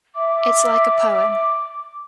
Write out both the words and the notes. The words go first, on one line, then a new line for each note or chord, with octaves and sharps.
It's like a poem.
E5 D6